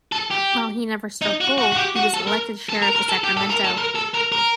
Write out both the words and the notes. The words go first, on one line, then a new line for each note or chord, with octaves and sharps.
While he never struck gold, he was elected sheriff of Sacramento.
A4
G4
D#4
F#4
F#4
F#4
G4
F#4
A4
A#4
A4
A#4
A#4
A4
G4
A4
A#4
A4
A#4
A4
A#4
A#4